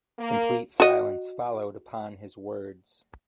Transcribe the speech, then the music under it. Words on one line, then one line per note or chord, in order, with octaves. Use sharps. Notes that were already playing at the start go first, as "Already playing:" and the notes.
Complete silence followed upon his words.
A#3
F#4 D#5